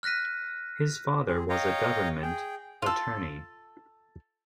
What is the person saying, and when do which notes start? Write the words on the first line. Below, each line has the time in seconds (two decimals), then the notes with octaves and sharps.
His father was a government attorney.
0.03 F6 F#6 A#6 B6 D#7
1.27 C4 G#4
1.49 C#5 D#5 F5 G5 A#5
2.22 G#4 G5
2.82 F4 A4